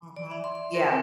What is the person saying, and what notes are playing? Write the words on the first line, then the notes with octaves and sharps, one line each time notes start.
Mhm, yeah.
D5
E5
C6
C6
A#4
C4